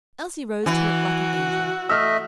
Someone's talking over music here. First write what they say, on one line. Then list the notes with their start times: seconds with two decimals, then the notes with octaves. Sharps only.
Elsie rose to it like an angel.
0.66 E3 F#4
1.89 A3 D#5 E5 E6 F6